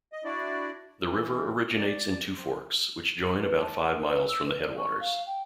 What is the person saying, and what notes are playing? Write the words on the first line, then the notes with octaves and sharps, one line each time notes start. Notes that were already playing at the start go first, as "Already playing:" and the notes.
The river originates in two forks, which join about five miles from the headwaters.
D#5
D4 E4 F#4 D5
E3
D5
C4
B4
A5
F#5
A#4
B4
E6
B4
D5
C#6
F5
G5